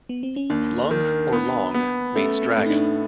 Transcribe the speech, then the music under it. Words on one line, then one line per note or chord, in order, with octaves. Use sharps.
"Lung" or "Long" means dragon.
B3
C4
C#4
D#2 D4
D#3
B3
B3
A3 C#4
C4
A2
D#4
D4